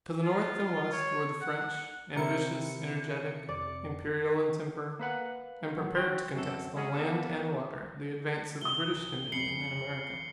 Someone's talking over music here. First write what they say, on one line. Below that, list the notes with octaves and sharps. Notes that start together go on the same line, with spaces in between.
To the north and west were the French, ambitious, energetic, imperial in temper, and prepared to contest on land and water the advance of British dominion in America.
F4
C#5
F#5
C3 D#3 E4 A#4 C#7
F2 D5
A#3 B4 F#5
A2 F#3
F#4 G5 C6
F#2 C4 A4
G#3 C#4 F#4 G#4
A#3 B3 A4
C2 D#6 G7
F2 C7 C#7 F#7